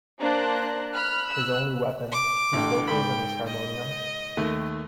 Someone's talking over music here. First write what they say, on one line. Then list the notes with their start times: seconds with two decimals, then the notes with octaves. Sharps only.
His only weapon: his vocals and his harmonium.
0.20 A#3 D4 C5 A#5 F#6
0.93 B5 F6 F#6
1.29 E6 F#6
2.12 D6
2.53 A1 D3 G5
2.87 G#2 G5 B5
3.47 D#5
4.37 D#2 D#3 A3